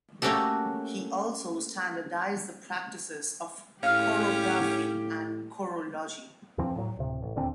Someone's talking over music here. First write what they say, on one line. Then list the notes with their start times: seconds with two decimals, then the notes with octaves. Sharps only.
He also standardized the practices of chorography and chorology.
0.22 A3 A#3 C#4 F#4 G4 A4
3.83 A2 C#4 G4 F5 F6
6.58 E2 E3 F3 C4
6.76 A2 F#3
6.97 D1 C3
7.22 A1
7.36 D1 D#2 D3 C4